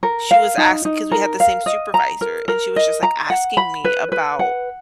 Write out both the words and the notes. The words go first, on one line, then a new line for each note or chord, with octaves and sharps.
she was ask 'cause we had the same supervisor and she was just like asking me about,
A#4
F5
D#4
D#4
A#4
F5
D#5
A#5
A#4
A#4
D#5
A#5
F#5
B5
B4
B4
F#5